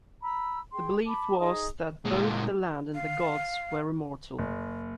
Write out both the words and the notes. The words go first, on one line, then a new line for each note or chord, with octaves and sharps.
The belief was that both the land and the gods were immortal.
A#5 B5 E6
G#4 G5 C6
A5 B5 D6
D#4 G#4 D#6
A#2 G#3
F5
F#1